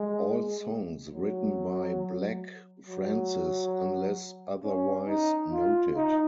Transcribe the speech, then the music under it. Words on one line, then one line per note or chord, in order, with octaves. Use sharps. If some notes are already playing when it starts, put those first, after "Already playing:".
All songs written by Black Francis unless otherwise noted.
Already playing: G#3
F#3
F#3
C#4
D#4
F4
D#4